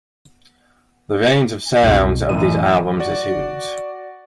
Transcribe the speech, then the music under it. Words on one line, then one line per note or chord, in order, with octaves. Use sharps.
The range of sounds of these albums is huge.
C2 F2 B2
A1 F#2 D#7
F#4 D5